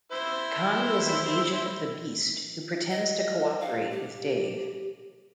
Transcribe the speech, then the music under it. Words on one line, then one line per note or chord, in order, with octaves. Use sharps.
Connie is an agent of the Beast who pretends to cooperate with Dave.
E4 C5 E6
D#5
F5
G4